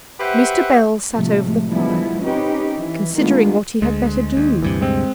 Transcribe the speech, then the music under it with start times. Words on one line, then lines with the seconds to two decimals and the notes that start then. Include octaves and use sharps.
Mr. Bell sate over the fire, considering what he had better do.
0.20 G4 B4 C5 E5 F#5
1.12 A2 C3 F3 G#3 A3
1.69 D3 F3 G3 G#3 B3 E4
2.22 C4 C#4 D#4 G4 B4
2.74 E3
3.17 D#3 G#3 A3 B3 D4 F4
3.82 D2 G#3
4.37 D#2
4.62 D2 G2 C3 E3
4.81 G#3 C4